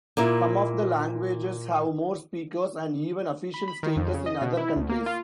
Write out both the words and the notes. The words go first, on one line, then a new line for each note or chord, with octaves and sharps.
Some of the languages have more speakers, and even official status, in other countries.
A#2 A#3 E4
B5
B5
D#3
F2
C#3
D#5
B2
E4
D2
A#3
F4